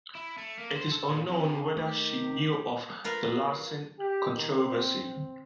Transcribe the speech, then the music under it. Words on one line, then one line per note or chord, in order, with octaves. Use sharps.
It is unknown whether she knew of the Larsen controversy.
E4
A3
A#3
C5
A4
A#2
C3
C3
D#3 A3 G4
F4 A#4 B4 F5
G4
D#3
C4
C4